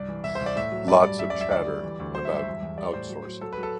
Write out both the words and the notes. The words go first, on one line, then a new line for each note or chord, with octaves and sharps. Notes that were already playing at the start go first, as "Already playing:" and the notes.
Lots of chatter about outsourcing.
Already playing: C2 G2 D5
E3
C2 E5
C5
C2
D5
A2 E5
F#3
G2 D5
G3 D5
F#2 E5
D5
F#2
E5
D2 D5
G3
E3
D2
F#3 C5
E5
G2
E5
E2
E2
G3 D5
A2 C5
F#3
F#3
F#3 A4
B4
F#3
A4